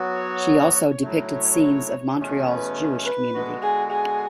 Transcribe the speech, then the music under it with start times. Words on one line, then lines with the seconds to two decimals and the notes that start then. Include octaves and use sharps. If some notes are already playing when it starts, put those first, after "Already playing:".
She also depicted scenes of Montreal's Jewish Community.
Already playing: F#3 B3 F#4
0.15 C#5
1.02 A2 F#3 A3
1.31 C#5
2.18 E2 B2 A3 C#4
2.47 B4
3.04 B4
3.34 D3 G#3 B3 F#4
3.62 G#4
3.91 G#4